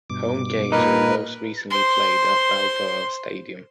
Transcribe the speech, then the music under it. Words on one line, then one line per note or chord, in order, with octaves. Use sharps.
Home games were most recently played at Balboa Stadium.
G2 B2 D6
A#2 D#4 A#4 B4
C5 C6